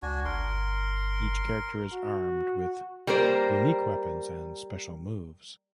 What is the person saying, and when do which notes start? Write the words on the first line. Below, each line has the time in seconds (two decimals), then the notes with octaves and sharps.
Each character is armed with unique weapons and special moves.
0.02 C#2 D4 F#4 G#5
0.25 G1 A#4 C6
1.92 F#4
3.07 G3 A#3 A#4 C5